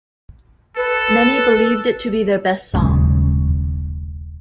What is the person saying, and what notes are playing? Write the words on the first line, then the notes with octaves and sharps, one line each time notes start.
Many believed it to be their best song.
A4 B4
D#1 B1 C#3 G#3